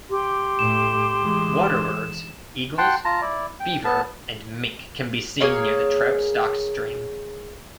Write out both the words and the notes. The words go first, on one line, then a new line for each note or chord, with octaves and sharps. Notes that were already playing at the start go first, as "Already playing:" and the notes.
Water birds, eagles, beaver, and mink can be seen near the trout-stocked stream.
G4 C6
A2 A3 E7
E3 G#3
F#5 G5 A5 C6
F4 A5 A#5
E4 D5
G5
B3 A5
A#3 G#4 C#5 F5